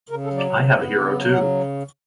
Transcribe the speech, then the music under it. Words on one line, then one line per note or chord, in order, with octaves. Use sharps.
I have a hero too.
C#3 A#4
A4
F#3
D5
C#3
B3
C#3
F#3
C#3 F#5